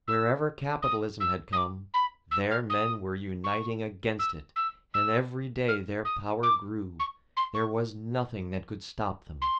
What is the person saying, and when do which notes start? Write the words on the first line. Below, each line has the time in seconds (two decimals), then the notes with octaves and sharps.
Wherever Capitalism had come, there men were uniting against it; and every day their power grew--there was nothing that could stop them.
0.08 E6
0.82 D#6
1.20 E6
1.53 D#6
1.57 D6
1.94 B5
2.31 E6
2.51 F6
2.70 D#6
3.44 C#6
4.19 E6
4.56 E6
4.94 E6
5.68 F6
6.05 D#6
6.43 D6
7.00 C#6
7.37 C6
7.54 C#6
9.42 C6